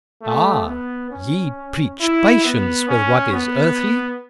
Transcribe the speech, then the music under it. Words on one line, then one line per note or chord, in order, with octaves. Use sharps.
Ah! ye preach patience with what is earthly?
A3
B3
C#4
E4
B3
C#4
B3